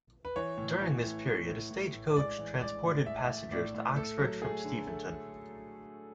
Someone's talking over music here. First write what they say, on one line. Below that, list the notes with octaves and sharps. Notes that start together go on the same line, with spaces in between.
During this period a stagecoach transported passengers to Oxford from Steventon.
B4
E3 C#5
A2
E3
A2
A2
A2
A2
A2
G#3 D5
E3
G#3 D5
A2
G#3 E5
A2
A2 D5
A2
A3 A4
F#3
A3 G#4
D3
A3